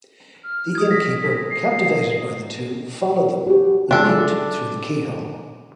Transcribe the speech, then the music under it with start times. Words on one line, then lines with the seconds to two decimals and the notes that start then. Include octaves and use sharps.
The innkeeper, captivated by the two, followed them and peeked through the keyhole.
0.44 F6
0.75 D#6 G#6
0.91 A#6 B6
1.51 C7
3.47 F#4 G4
3.91 C#3 G#3 D4 A4